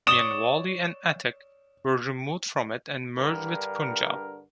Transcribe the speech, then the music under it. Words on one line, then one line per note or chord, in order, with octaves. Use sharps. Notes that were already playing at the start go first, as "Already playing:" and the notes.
Mianwali and Attock were removed from it and merged with Punjab.
C#5 D5 D#6 E7 G7
G2 D3 A#4